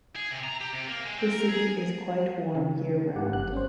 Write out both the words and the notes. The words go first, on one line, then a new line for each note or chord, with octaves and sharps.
The city is quite warm year-round.
G#4
C3
A#5
G4
C3
A#3
G#3
C4
A#4
G#4
C#3 D4
G#2 G4 F#5
G1 F#6
C#4 C5